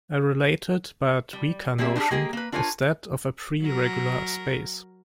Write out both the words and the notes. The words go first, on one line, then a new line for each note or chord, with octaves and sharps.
A related, but weaker, notion is that of a preregular space.
G3
G3 A#3 C4 G#4 B4 E5
D4 D#4 F4 G4 G#4
G#3 A#3 G4 G#4 A#4
A#3 B4
D4 F4 A#4 C#5 D5 G#5
F#3 A#4